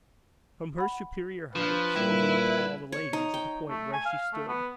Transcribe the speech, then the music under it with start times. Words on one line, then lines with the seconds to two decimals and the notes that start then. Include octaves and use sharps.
From her superior height she overlooked all the ladies at the point where she stood.
0.78 F#5 B5
1.56 F3 D4 B4
1.96 A#2 G3 E4
2.92 C#5
3.13 D#4
3.34 G5
3.69 A3
3.93 G#5
4.06 F5
4.33 A3
4.48 B3